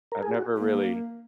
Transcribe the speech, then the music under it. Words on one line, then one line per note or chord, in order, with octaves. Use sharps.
I've never really
A#4
G#4
F#4
A#3